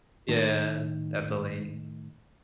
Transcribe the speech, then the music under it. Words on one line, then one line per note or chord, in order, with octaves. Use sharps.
Yeah, definitely.
A2 D#3